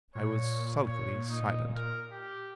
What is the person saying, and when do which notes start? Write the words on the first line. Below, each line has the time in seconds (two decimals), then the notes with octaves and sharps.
I was sulkily silent.
0.15 A#2 C#5
0.86 C#5
1.28 D#4
1.75 A#4
2.12 G4